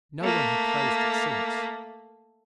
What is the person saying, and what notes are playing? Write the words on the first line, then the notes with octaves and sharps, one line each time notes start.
No one had closed it since.
A3 A#3